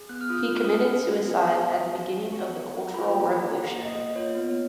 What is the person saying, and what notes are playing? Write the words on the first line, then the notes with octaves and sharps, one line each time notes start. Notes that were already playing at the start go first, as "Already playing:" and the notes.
He committed suicide at the beginning of the Cultural Revolution.
Already playing: G#4
B3 F#6
F6
F4 D#6
C#4 F#6
F6
D#6
C#4 F6
F#4
B3
B3
B3
C#6
F#4 D#6
C#4
F#4
B3 C#6
D#4
G#4
A#5
F4 B5
A#3
A#5
G#4
A#3 F#5
A#3
D#5
A#3
F4 C#5
B3